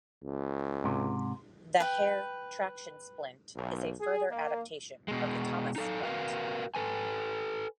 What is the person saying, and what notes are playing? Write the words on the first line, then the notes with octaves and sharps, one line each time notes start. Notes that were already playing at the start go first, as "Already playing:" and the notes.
The Hare traction splint is a further adaptation of the Thomas splint.
C#2
G#2 C3
B4 G5
B1
G#4
A#3
B2 G#3
D#4 A4 F5
F#4 A#4 B4 F5
A4 B4 G#5